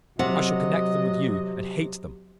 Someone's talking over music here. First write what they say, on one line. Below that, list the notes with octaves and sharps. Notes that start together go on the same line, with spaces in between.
'I shall connect them with you, and hate them.'
C3 F#3 D#5 F#5